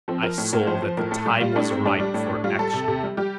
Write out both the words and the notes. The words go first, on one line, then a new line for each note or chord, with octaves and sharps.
I saw that the time was ripe for action.
F3 C4
F3 A#4
A2
A2 A#4
F3 C5
F3
A2 A#4
A2 A4
G3 G4
G3 F4
A2 D4
A2 C4
G3 D4
G3
A2
A2
G3 F4
G3 A4
C3
C3
G3
G3 G4